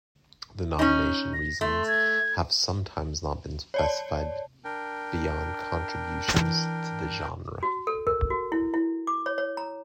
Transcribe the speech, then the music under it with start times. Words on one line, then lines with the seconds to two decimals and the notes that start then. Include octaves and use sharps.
The nomination reasons have sometimes not been specified beyond "contributions to the genre".
0.79 C#4 D#4
1.33 A#6
1.61 A3 C6
1.88 G#6
3.74 C#5 D5 A5
4.64 D4 A#4 G5
6.34 E3
7.63 F#4
7.87 A4
8.07 A#4
8.30 F#4
8.52 E4
8.74 E4
9.07 D6
9.26 C#5
9.38 C#5
9.57 A#5